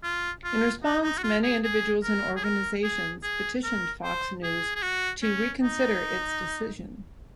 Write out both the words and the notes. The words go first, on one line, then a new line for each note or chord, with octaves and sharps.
In response, many individuals and organizations petitioned Fox News to reconsider its decision.
F4
F4
D#4
D#4
F#4
F4
G#4
G#4
A#4
G#4
A#4
G#4
G#4
A#4
C5
G#4
G#4
F#4
C#4
D#4